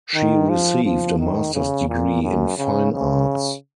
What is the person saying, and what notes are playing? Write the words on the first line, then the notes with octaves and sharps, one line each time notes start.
She received a master's degree in fine arts.
D#3
F3
F3
D#3
C#3
A#2
F#2
C#3
C#3